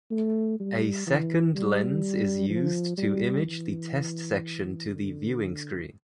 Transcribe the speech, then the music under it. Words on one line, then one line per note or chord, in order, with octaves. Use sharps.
A second lens is used to image the test section to the viewing screen.
A3
G3
E3
G3
F3
G3
E3
D3